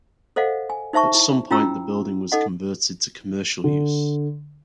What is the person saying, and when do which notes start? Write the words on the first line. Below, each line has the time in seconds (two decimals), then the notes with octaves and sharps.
At some point the building was converted to commercial use.
0.36 A4 C5 D#5 F5 F#5
0.70 G#5
0.93 D#4 C5 E5 A5 C#6
1.14 E4
1.51 C#4 E4 F4 G5 A#5 E6
2.32 D#4 A4 D#5 F#5
3.64 D3